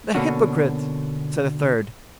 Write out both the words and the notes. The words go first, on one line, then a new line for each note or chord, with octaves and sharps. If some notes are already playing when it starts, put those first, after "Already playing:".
"The hypocrite!" said a third.
B2 D3 A#3 C#4 D4 F#4